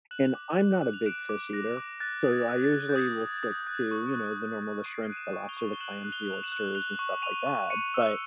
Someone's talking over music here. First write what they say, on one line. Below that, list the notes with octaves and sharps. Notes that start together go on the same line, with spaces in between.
and I'm not a big fish eater, so, I usually will stick to, you know, the normal the shrimp, the lobster, the clams, the oysters, and, stuff like that, but,
F#6 E7 F#7
D6
F#6
F#6
F7
F#6 D7 E7
D6
F#6 A#6
D6
F#6 A6
D#6
G#6
F#6
A6
F#6
G6
D#6 G#6
D#6
D#6 G#6
F#6
C#6
F#6
F#6
F#6
C#6 C7 D7
F#6 D#7
D7 E7
C#6
F7 G7
C#6
G7
F#6 E7 F#7
F#6
F7 G7
F#6
F7
E7 F#7
F#6
F#6 F7 G7
C#6
C#6 D#7 F7
C#6
C#6 C#7 D#7
E6